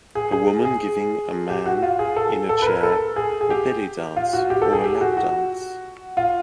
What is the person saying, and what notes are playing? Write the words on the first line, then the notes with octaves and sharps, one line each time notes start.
A woman giving a man in a chair a belly dance or a lap dance.
G#4
G#4
G#4
G4
F#4
F4
G#4
A4
A4
B4
A#4
A4
G#4
G#4
G4
F4
F#4
G4
A4
G#4
G4
F#4
F#4
F4